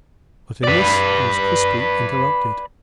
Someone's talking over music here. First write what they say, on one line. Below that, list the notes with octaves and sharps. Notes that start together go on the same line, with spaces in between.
But in this he was crisply interrupted.
B4 D5